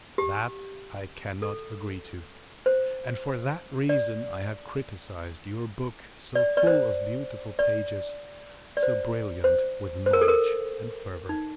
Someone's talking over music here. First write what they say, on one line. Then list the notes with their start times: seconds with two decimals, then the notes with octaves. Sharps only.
That I cannot agree to; and for that reason I have criticised your book, so full of beautiful pages, so brilliant with knowledge and fervor!
0.18 G4
1.42 A4
2.66 C5
3.89 D5
6.35 D5
6.57 D5
6.67 C5
7.59 D5
8.77 D5
8.83 C5
9.44 C5
10.06 C5
10.13 A#4
10.21 A4
10.28 A#4
11.29 D#4